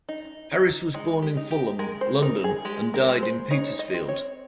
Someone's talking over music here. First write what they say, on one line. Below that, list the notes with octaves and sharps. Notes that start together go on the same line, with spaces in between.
Harris was born in Fulham, London and died in Petersfield.
D#4
D#4
G#3 D#4
G4
D#4
G4
G#3 A#4
C5
D#4 A#4
G#4
G#3 G4
A#4
G#3
C5
D#4 C#5
D#5
C4
C#5